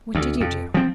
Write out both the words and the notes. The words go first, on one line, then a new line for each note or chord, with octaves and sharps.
"What did you do?"
D2
F2
F3 C4